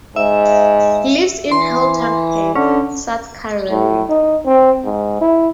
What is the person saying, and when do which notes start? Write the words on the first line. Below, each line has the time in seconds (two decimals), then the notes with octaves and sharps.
He lives in Hilton Head, South Carolina.
0.16 G#2 E5
1.51 E3 C6
2.55 D3 C#4
3.70 A2
4.09 D#4
4.45 C4
4.84 G#2
5.21 E4